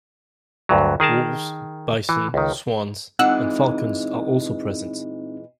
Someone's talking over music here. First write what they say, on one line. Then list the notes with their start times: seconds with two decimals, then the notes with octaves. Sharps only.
Wolves, bison, swans, and falcons are also present.
0.69 D2 G2 F#3
1.00 D#3 G#4 A#4 A5
2.09 E3
2.34 C#2 D#3
3.19 A#2 E3 G#3 C4 D#4 F#5 E6 F#6